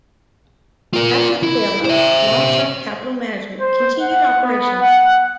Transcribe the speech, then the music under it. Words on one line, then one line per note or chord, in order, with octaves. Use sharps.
After the bailout, Long-Term Capital Management continued operations.
F4 A#4
E4
C5 E5
C5
F#5
B3
F#5